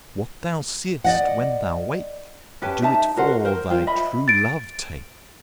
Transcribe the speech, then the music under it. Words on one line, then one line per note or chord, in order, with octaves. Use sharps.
"What thou seest when thou wake, Do it for thy true love take."
D5 D#5 F#5
C#4 G4 B4 A5
D#4 E5 A5 A#5
F#4 A#4 C5 F#5
A#4 C5
F4 C5 G5
D#5 E5 B5
A6 D7